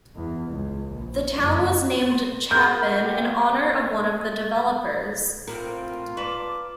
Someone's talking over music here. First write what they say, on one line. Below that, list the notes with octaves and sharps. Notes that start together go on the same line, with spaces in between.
The town was named Chapin in honor of one of the developers.
E2
C#2
A#1
F#1 F2
C5
F#4 G#4 A#4 G6
G4
A2 A#3 C4 F4 A#4
B4 D5 A5 A#5 D6